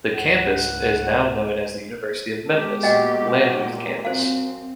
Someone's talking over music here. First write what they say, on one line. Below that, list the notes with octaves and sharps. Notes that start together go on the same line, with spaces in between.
The campus is now known as the University of Memphis - Lambuth Campus.
C#2 G#2 F#5
G#3 B3 G4 A4
A#2 F#4 D#5 F#5 G5
F#2 C4 C5 F5